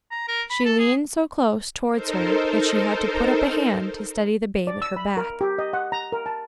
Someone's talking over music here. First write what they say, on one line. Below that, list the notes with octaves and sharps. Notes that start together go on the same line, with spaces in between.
She leaned so close towards her that she had to put up a hand to steady the babe at her back.
A#5
A#4
B5
A4
G#4
D#4 A4 A#4 C5
D5
E6
B5
A#4
G4
D#5
F#5
A#5
A#4
A5